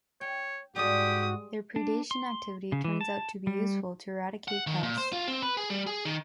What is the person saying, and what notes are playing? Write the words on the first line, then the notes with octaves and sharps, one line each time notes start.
Their predation activity turns out to be useful to eradicate pests.
C#5 G5
G#2 G3 G#3 F#4 G4 D#6
D4
C6
C#3
E3
A5
G3
F#5
D#3
A#2
C5
F4
C4
B4
G#4
G3
G#4
D#3